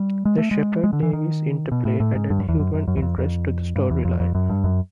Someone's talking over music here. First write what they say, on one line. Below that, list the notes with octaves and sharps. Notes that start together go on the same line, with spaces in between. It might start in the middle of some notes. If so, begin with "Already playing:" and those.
The Shepard-Davis interplay added human interest to the storyline.
Already playing: G3
G#3
A3
G#3
G#3
D3
E3
D#3
B2
A2
A2
G#2
G2
F#2
E2
F#2
F#2
F#2
E2
F2
F2
G2
E2
F2
F2
F#2
G2
F#2